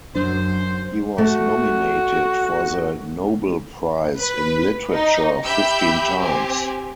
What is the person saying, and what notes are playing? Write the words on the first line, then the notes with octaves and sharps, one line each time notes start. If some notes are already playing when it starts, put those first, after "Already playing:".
He was nominated for the Nobel prize in literature fifteen times.
F#2 F#3 D4 C5
A3 F#4
B4
D#4
G4 E5 B5 E6 G6
C4 G4 G#5